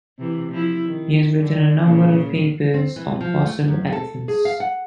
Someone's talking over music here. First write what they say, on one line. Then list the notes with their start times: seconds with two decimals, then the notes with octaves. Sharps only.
He has written a number of papers on fossil elephants.
0.19 C3 E3
0.51 F3 E4
0.88 D#3
1.39 D3
1.82 A#2 C#3
2.74 C4
2.96 E3
3.21 F3
3.45 A3
3.68 F#2
3.92 A4
4.28 G#4
4.45 F5
4.60 F#5